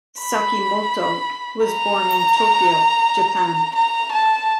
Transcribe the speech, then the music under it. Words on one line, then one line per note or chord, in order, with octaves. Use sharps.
Sakimoto was born in Tokyo, Japan.
B5
A#5
A#5
A5